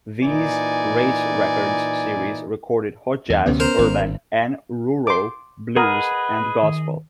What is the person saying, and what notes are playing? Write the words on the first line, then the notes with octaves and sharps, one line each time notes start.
These race records series recorded hot jazz, urban and rural blues, and gospel.
A#2 E3 D#4 D5 G#5
E2
D2 C3 E3 B3 C#4
A#4 C5
G#1
C6 D6
G#4 A#4 B4 D#5 F#5
D#3